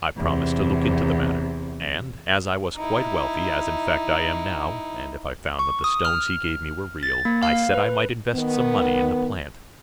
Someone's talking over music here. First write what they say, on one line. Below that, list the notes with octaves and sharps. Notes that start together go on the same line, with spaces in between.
"I promised to look into the matter, and, as I was quite wealthy, as, in fact I am now, and if I found that the stones he gave me were real, I said I might invest some money in the plant."
E2 C3
D#4 E4
C#6
D#6
F6
A6
A#3
F5
B4
D#3 B3